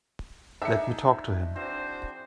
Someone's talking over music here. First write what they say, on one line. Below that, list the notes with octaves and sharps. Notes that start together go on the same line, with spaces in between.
Let me talk to him.
D4 D#4 G#4 E5 C#7
E3 C4 D4 F#4 C5